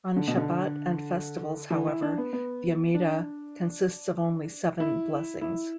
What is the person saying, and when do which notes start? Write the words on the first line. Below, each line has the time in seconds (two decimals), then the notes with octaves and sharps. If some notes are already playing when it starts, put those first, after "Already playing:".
On Shabbat and festivals, however, the Amidah consists of only seven blessings.
0.16 D3
0.28 B2
0.37 D3
1.70 E3
1.87 E4
2.02 D4
2.18 B3
2.33 B3
2.94 D4
4.80 E4
5.41 E4